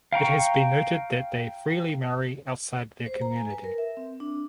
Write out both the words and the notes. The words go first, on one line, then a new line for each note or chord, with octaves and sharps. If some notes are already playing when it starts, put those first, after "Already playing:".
It has been noted that they freely marry outside their community.
F5 G5 A#5 C#6
C5
A#5
G#5
B4
A#4
E5
C4
D4